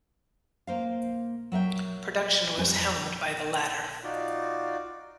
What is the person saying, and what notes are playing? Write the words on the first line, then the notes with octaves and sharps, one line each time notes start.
Production was helmed by the latter.
A#3 C5 F5
F#3 A#4 E5 G5
F2 G3 C4 C5 G#5
D#4 F4 F#4 D5